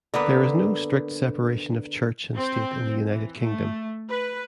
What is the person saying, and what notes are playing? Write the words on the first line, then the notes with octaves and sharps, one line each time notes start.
There is no strict separation of church and state in the United Kingdom.
D3 A#3 B3 B4
C4
E3
A3
B4